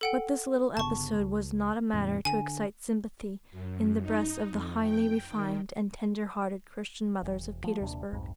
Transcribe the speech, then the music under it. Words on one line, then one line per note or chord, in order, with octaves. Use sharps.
But this little episode was not a matter to excite sympathy in the breasts of the highly refined and tender-hearted Christian mothers of Petersburg.
A4 F#5 G5
G1 C#3 B3 A5 C#6
C#2
E2 A2 C#3
D3 G#5
F#2
D#4
F2
G5
D#3
E1
F3 G#3 A3
D#1 D#2 C3 D4
B1 F2 G#2